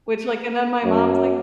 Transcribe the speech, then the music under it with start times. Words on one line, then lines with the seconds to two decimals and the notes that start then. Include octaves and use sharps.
Which, like, and then my mom's like
0.84 F#2